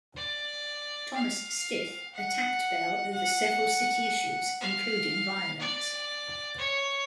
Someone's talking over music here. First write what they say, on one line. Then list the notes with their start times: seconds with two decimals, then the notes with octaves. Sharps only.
Thomas Stith attacked Bell over several city issues including violence.
0.16 D5
1.15 F5
2.14 F#5
3.12 F#5
4.60 F5
5.60 D5
6.58 C#5